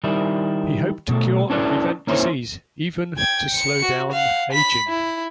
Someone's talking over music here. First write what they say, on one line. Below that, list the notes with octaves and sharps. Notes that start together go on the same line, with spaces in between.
He hoped to cure and prevent disease, even to slow down aging.
D#3 G3 E4
B2 A3
C#4 D4 E4 A4 B4 D5
A#3 C#4 E4 C5 C#5
G5 G#6
C#7
F#4
F5 F#5
B5 B6
E4